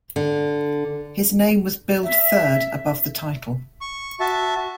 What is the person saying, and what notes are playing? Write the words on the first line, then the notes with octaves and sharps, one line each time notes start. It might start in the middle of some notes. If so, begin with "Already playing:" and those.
His name was billed third, above the title.
D3
E5
C#6
F#4 E5 A5